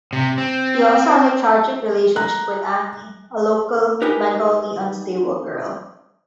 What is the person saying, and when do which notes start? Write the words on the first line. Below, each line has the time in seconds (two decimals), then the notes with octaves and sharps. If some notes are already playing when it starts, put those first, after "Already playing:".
He also has a tragic relationship with Annie, a local mentally unstable girl.
0.13 C3
0.38 C4
2.16 A#5 F#6
4.02 D#4 G4 G#4 A#4 B4